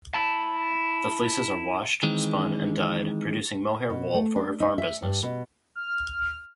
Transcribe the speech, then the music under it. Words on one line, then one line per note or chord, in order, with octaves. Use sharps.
The fleeces are washed, spun and dyed, producing mohair wool for her farm business.
E4 A5
D#3 E3 G#3 C4
B2
A3
D4
D#4
E5
G2
B2
F6